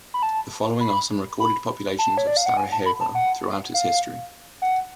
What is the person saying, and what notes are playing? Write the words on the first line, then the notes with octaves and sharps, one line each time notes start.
The following are some recorded populations of Sarajevo throughout its history.
B5
A5
B5
B5
A5
C#5
D5
F5
F#5
G#5
A5
B5
A5
F#5
F5
F#5